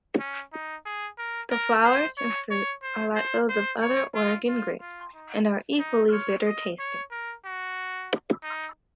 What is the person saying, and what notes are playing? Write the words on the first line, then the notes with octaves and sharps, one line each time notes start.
The flowers and fruit are like those of other Oregon-grapes, and are equally bitter-tasting.
C#4
D#4
G#4
A#4
A#4
C5
C#5
C#5
C5
C5
C5
C#5
F4
F4
F4
D#4
D#4
C#5
D#5
C#5
A#4
F#4
D#4